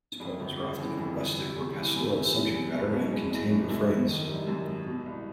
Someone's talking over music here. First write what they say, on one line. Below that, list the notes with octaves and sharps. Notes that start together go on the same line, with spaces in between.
These poems were often of a rustic or pastoral subject matter and contained refrains.
F2
G1
C#3
E3
F2
G1
C3
E2
E3
E2
C3
E2
E2
F#1
B2
G#3
E2
F#1
F#2
G#1
D#3
G3
F#2
G#1
B2
C2